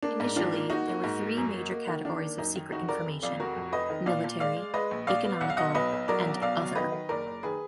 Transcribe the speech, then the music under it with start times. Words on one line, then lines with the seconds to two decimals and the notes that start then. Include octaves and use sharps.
Initially there were three major categories of secret information: military, economical and "other".
0.02 A#3 D4
0.20 G#2
0.36 D#3 D4 F4
0.53 A#3
0.70 A#3 D#4 F#4
0.87 A#3
1.04 G#2
1.21 A#3
1.37 F#2
1.54 A#3
1.71 A#3
1.88 D#3
2.05 D#3 D4
2.21 A#3
2.38 F#2 D#4
2.56 D#3
2.72 F1 D#4 F#4
2.88 F1 A#4 D5
3.06 F1
3.23 F2 D5 F5
3.40 F1 F#4 A#4
3.56 F2
3.73 F1 B4 D#5
3.90 D#3
4.06 A#2 D5 F5
4.24 A#2
4.40 G#3 D5 F5
4.57 G#3
4.74 G#3 B4 D#5
4.91 A#1
5.07 A#1 D5 F5
5.25 B3
5.41 B1 F#5
5.50 F5
5.57 B2 D#5 F#5
5.75 B1 B4 D#5
5.92 B1
6.08 F#3 A#4 D5
6.26 B1
6.42 B2 D5 F5
6.60 F#3
6.75 D#3 B4 D#5
6.92 D#3
7.09 F#1 A#4 D5
7.26 F#1
7.43 D#3 G#4 B4